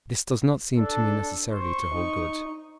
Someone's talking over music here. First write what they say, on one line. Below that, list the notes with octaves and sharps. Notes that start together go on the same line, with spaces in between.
This does not seem to me necessarily to hold good.
D4 A4
C5 C#6
D#4